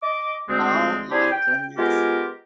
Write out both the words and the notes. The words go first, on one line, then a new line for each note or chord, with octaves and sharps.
Oh my goodness.
D#5 D6
D2 G#3 C4
C4 D4 E4 G4 G#4
G5
G#3 B3 F4 G4 A#4